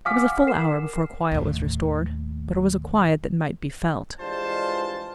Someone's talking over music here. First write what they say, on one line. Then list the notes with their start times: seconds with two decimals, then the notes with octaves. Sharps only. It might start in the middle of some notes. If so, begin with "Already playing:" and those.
It was a full hour before quiet was restored . . . but it was a quiet that might be felt.
0.05 F5 F#5 G#5 D6 F6 B6
0.47 A#4 C7 E7
1.32 D#2 A2
4.20 E3 G3 G#3 D4 F4 C5 A5